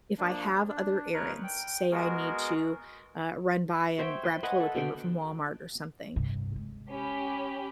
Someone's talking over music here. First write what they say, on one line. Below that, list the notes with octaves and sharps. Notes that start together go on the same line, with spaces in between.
if I have other errands, say I need to, uh, run by and grab toilet paper from Walmart or something.
F3 A#3 D4
D4
D#2 D#4 A#4 B4 C#5 F#6
G5
G#3 B3 F#4 G#4 A#4
C5 C#5 E5 G5
B4 C6
B4 D#5 F#5 G#5
A4
B2 D3 G5
G2 C3
G#3
C#4 G4 B5